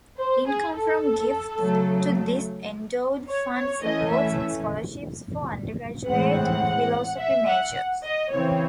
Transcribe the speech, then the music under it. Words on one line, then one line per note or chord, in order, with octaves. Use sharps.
Income from gifts to this endowed fund supports scholarships for undergraduate philosophy majors.
C5
G#4
A4
C#3 F#3 A3
C#5
C#5
E3 A3 C#4 D#5
E5
A2 E3 G#3 C4 F#5
E5
F#5
D#5
C#3 E3 C4 C#5